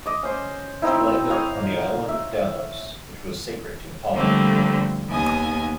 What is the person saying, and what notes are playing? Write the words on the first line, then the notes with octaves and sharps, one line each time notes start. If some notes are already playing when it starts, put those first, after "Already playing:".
She landed on the island of Delos, which was sacred to Apollo.
D#5 D6
C#4 C5 C6
C4 D#4 E4
C5 C#5 D#5 F5
E5
D3 F3 G3 A3 A#3 C4
D#2 B3 D#5 G#5